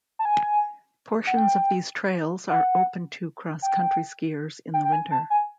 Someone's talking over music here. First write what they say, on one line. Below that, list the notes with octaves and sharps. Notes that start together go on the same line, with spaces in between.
Portions of these trails are open to cross-country skiers in the winter.
A5
G#5
F#5
G5
F#5
G5
G5
G5
G#5
A5
G#5